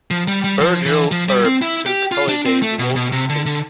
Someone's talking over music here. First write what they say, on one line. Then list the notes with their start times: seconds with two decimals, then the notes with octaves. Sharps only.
Virgil Earp took Holliday's walking stick.
0.11 F3
0.28 G3
0.44 G3
0.61 F3
0.86 E3
1.11 F3
1.29 G3
1.45 C4
1.62 E4
1.86 G4
2.12 F4
2.29 D4
2.46 C4
2.62 A3
2.79 B2
2.96 B2
3.12 C3
3.29 D3
3.46 D3